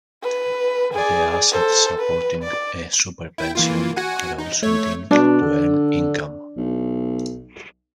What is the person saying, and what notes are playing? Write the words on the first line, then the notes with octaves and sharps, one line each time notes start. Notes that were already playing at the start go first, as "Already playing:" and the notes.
The assets supporting a "super pension" are also deemed to earn income.
B4
G#4 D5
A4 C5
B4
D5
E4 G5
E3 A#3 F4
F#4 F#5 G#5
D#4
A3 C#5
B2 D4
D3
B1